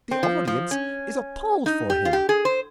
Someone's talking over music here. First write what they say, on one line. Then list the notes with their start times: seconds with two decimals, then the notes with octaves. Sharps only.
The audience is appalled for him.
0.11 C4
0.23 F3
0.47 F3
0.71 C#4
1.66 D#4
1.90 G4
2.05 F4
2.13 G4
2.29 G#4
2.45 C5